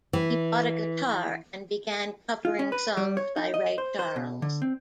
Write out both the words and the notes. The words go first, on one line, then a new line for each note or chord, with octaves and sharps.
He bought a guitar and began covering songs by Ray Charles.
E3
F4
C#4
B4
G3
C#5
D#4
D#5
C5
C5
B2
D3
C4